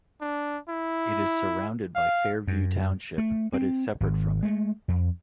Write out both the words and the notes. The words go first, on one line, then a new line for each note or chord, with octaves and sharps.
It is surrounded by Fairview Township but is separate from it.
D4
E4
F5
F#2
A3
C4
G#1
G#3 A3
F2